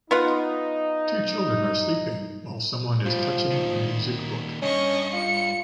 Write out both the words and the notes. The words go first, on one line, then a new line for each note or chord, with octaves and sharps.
Two children are sleeping while someone is touching a music book.
B3 D#4 F4 F#5
A2 F3 G3
A#2 D#3
G2 C#4 D#5 C#6
F4 C#7